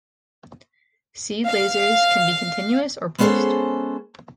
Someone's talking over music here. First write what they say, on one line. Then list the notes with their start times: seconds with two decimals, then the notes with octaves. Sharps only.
Seed lasers can be continuous or pulsed.
1.47 F5
3.19 G#3 B3 C#4 G#4 A4 C5